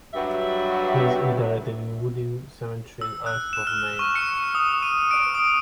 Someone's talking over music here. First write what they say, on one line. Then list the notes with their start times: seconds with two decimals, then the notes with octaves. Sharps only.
He is interred in Woodbine Cemetery in Ellsworth, Maine.
0.14 G2 F#3 G4 E5
3.01 E6
3.26 F#6
3.53 E7
3.67 F6
3.99 C#6
4.16 C#7
4.55 D#6
4.83 D#7
5.11 D7
5.35 D#6